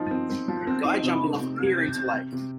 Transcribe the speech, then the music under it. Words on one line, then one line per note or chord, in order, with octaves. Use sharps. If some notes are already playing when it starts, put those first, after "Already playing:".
Guy jumping off a pier into lake.
Already playing: F3 D#4
C4
C4
F3
C4
D#4
C3
C3
C3
C3
C3
C3
C3
C3